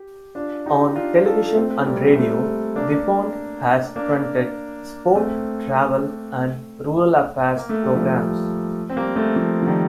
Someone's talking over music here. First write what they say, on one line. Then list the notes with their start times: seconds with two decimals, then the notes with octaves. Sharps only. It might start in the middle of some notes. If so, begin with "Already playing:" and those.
On television and radio Vipond has fronted sport, travel and rural affairs programmes.
Already playing: G4
0.35 D4 F4
0.66 D#4 G4
0.95 D4 F4
1.26 F4 A4
1.56 A3 C4
1.85 G3 A#3
2.15 A3 C4
2.76 A#3 D4
3.96 A#3 D4
5.16 A3 C4
7.56 A#3
7.69 A3
7.83 G3
7.95 F3 A3
8.90 C4
8.97 G3 A#3
9.16 A3 C4
9.36 F3 A3
9.62 F3
9.67 D#3 G3